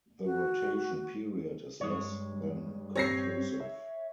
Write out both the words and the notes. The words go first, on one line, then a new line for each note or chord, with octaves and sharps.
The rotation period is less than conclusive.
F#4
G2 G#3 C#5
C4 G4 C#5 A#6 C7
E5